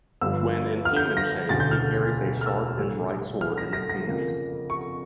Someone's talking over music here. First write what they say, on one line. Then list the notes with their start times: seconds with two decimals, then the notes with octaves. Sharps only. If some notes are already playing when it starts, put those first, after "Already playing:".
When in human shape he carries a sharp and bright sword in his hand.
0.21 G1 G2 F3 E6
0.85 F6
0.96 G6
1.17 A#6
1.49 E1 D2 C#3 A6
1.60 G6
1.71 F6
2.41 F6
2.46 E6
2.77 A#1 A2 G3
3.41 F6
3.58 A#6
3.73 A#6
3.89 A#6
4.05 F2 C#3 F3 A#3
4.70 C#6